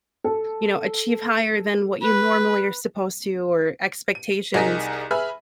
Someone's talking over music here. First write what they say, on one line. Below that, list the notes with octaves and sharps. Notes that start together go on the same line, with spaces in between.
you know, "achieve higher than what you normally are supposed to," or "expectations."
A4
B4
D#7
C2 D#4 G#4 A#4 A#6 B6
G#4 B4 E5 B5 F6